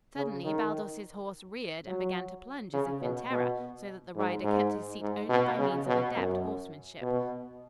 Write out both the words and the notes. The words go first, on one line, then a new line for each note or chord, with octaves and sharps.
Suddenly Baldos's horse reared and began to plunge as if in terror, so that the rider kept his seat only by means of adept horsemanship.
C#3
D#3
F#3
C#3
B2
B2
G#2
G#2
G#2
B2
C#3
B2
F#2
B2